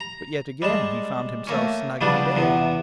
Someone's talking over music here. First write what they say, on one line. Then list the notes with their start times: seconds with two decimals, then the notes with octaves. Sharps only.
But yet again he found himself snug in bed.
0.01 A#5
0.62 G3 G#3 A5
1.47 A3 A#3 C#4
2.01 C#3 F3 G3 B3 D4
2.35 E2 C3 B3